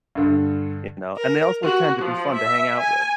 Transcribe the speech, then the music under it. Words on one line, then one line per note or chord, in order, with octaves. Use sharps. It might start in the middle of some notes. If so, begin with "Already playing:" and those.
You know? And they also tend to be fun to hang out with.
G2 D3
A#4
F#4
F3
E5
G#5